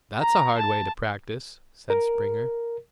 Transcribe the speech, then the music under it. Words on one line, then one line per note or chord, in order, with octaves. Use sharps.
"That's a hard way to practice," said Springer.
A#5
A5
A#4